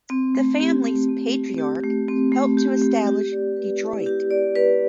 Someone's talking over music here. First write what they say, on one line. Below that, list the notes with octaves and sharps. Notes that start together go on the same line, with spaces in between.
The family's patriarch helped to establish Detroit.
C4
A3
G4
A3
C4
A3
G4
A3
C4
A3
G4
A3
G4
D5
B4
E4
G4
D5
B4